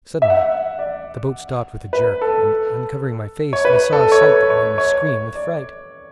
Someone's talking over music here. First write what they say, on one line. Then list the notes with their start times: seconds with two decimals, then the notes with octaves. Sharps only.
Suddenly the boat stopped with a jerk, and uncovering my face, I saw a sight that made me scream with fright.
0.22 E5
0.30 F#5
0.37 E5
0.79 D5
1.93 B4
2.22 A4
3.53 C#5
3.65 B4
3.93 A4
4.12 C#5
4.22 B4
4.50 C#5
4.78 C#5
5.35 D5